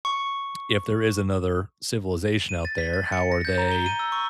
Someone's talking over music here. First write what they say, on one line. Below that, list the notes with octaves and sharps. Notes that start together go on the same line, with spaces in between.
if there is another civilization out there, how are they
C#6
D#7
A6
B6
A6
C#7
A#6
G6
A#5
G7
D#7
E6
C#6